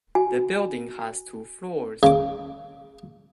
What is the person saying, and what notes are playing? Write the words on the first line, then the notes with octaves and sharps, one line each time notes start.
The building has two floors.
F#4 G#5
C#3 D6